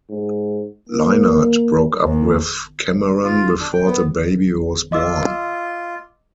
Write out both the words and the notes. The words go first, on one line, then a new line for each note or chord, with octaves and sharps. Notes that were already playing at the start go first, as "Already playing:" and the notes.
Leinart broke up with Cameron before the baby was born.
G#2
A#3
D#2
F4
D4
G5
B3
F4 D#5 D6 E6